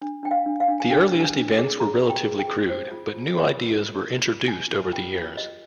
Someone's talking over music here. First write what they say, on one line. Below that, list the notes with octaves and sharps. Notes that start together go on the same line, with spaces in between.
The earliest events were relatively crude, but new ideas were introduced over the years.
D4
D4 G5
F5
D4
F5
D4
G#5
D4 G5
D4
G#5
D4
G#4
G#4 A#5
F4
G5
G#4
G5
G#4
C5
F4
F4
F4
A#4
F4
A#4
F4
F4 G#5
F4
F4 G5
F4
G4 D#5